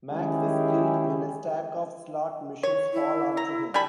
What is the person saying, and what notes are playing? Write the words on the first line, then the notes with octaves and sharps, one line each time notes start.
Max is killed when a stack of slot machines falls onto him.
D#3 G#3 C#4 E4 G4 G#4
C#5
E4
A#5
G3 G#5 A5 B5